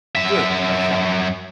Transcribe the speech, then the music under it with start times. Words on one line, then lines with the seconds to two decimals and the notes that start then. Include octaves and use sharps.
"Good!" I shouted.
0.15 F#2 E5